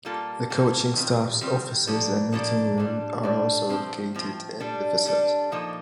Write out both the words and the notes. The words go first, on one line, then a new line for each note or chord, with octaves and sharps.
The coaching staff's offices and meeting room are also located in the facility.
G3 A#3 F4 A4
G3 A#3 F4 A4
D#3 G3 C4 F4
D#3 G3 C4 F4
F3 A#3 D4 A4
F3 A#3 D4 A4
A#2 G3 D4
A#2 G3 D4
A2 F3 C4
A2 F3 C4
G3 D4 A4
G3 D4 A4
A#2 F3 A#3 D#4 A4